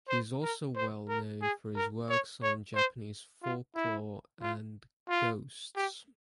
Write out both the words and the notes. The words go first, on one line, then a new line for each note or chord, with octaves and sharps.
He is also well known for his works on Japanese folklore and ghosts.
C5
A#4
C5
A#4
G#4
A#4
C#5
C#5
C5
F4
E4
F4
F4
G4